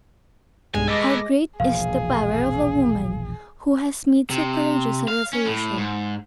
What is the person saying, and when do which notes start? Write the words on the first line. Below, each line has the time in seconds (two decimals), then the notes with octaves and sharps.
How great is the power of a woman who has made so courageous a resolution!
0.74 B1 G2 G#3 G#5
0.88 A4 B4 D#5 D6 A#6
1.60 E1 A#1 F3 G#4 F5
4.30 C3
5.08 F5
5.33 C#4
5.46 A2
5.77 G#2